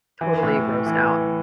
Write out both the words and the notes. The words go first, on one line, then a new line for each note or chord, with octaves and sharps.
totally grossed out.
E3
A2
E3
E3